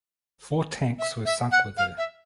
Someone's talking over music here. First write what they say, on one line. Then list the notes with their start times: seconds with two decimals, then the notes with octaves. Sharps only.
Four tanks were sunk with her.
0.99 E5
1.26 E5
1.52 F#5
1.77 F5
1.98 E5